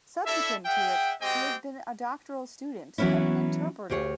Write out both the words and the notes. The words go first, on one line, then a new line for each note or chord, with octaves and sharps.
Subsequent to it, he has been a doctoral student and an interpreter.
D4 E4 A4 E5
G#4 E5 F#5 G5
G#3 C4 F#4 G4 D#5 G5
E3 F#3 B3 C#4 E4
D2 G4 G#4 C#5